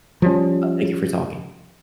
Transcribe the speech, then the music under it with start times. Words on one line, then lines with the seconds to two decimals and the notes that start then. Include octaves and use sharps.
uh, thank you for talking.
0.22 F3 G3 C#4